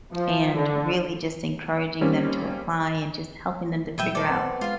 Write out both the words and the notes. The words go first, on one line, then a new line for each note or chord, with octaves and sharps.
and really just encouraging them to apply, and just helping them to figure out
F3
D3
G3 A#3 C4 C#4
A#2 F#3 G3 B4 E5 G5
A4 C5 D5
B3 C4
G#3 F4 F5